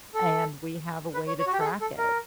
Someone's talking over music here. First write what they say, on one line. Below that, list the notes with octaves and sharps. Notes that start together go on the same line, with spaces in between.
and we have a way to track it,
A4
B4
C#5
C#5
F#4
G4
A4
G#4
A4
A#4